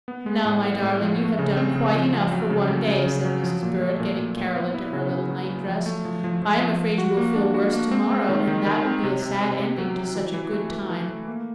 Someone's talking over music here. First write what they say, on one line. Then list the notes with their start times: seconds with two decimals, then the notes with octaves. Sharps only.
"Now, my darling, you have done quite enough for one day," said Mrs. Bird, getting Carol into her little night-dress; "I am afraid you will feel worse to-morrow, and that would be a sad ending to such a good time."
0.08 B3
0.26 G#3
0.45 A2
0.64 B3
0.82 A2
1.01 F3
1.20 A3
1.39 C#3
1.57 C4
1.76 C#3
1.95 F3
2.13 F3
2.32 F#3
2.50 C#3
2.69 F#3
2.88 C#3
3.07 C#3
3.25 F#3
3.43 F3
3.63 A#2
3.81 A3
4.00 A#2
4.18 A#2
4.37 A#2
4.56 B3
4.74 E4
4.93 C#3
5.11 C#3
5.30 F#3
5.49 F#3
5.67 F3
5.86 A3
6.05 F3
6.24 F3
6.42 F3
6.61 F3
6.79 F3
6.98 F#4
7.17 A#3
7.35 D4
7.54 F#4
7.73 A#3
7.91 C4
8.10 G#3
8.29 D#3
8.47 D#3
8.66 D#3
8.85 C4
9.04 C3
9.22 C3
9.41 C3
9.60 C3
9.78 F#3
9.96 F#3
10.15 E3
10.34 E3
10.52 A3
10.71 E3
10.90 E3
11.09 A3
11.27 A#3